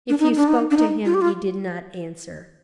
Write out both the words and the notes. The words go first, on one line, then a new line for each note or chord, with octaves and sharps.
If you spoke to him, he did not answer.
D4
D#4
D4
D#4
D4
D#4
F4
G4
F4